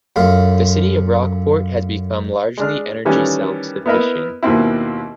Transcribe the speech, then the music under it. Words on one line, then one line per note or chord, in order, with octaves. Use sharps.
The city of Rock Port has become largely energy self-sufficient.
F#2 A3 F4 F5
G#3 D4 F6
D#3 E3 G3 A3 C#4
B3 E4 A#4 D#5 E5 B5
D#2 B2 A#3 C4 E4